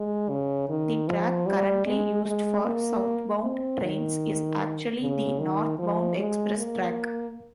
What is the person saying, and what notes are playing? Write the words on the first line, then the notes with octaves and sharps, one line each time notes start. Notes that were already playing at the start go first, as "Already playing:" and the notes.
The track currently used for southbound trains is actually the northbound express track.
Already playing: G#3
C#3
D#3
F3
G3
G#3
G#3
A#3
C4
D#3
C#3
D#3
F3
G#3
A#3